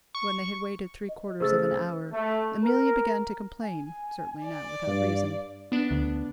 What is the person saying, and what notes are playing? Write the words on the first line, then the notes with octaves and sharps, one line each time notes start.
When they had waited three-quarters of an hour Amelia began to complain,--certainly not without reason.
C#6
D#5
C#3 A3 C5 E6 A6
A3
A#4
G#5
D5
G2 F5
B3 D4
D2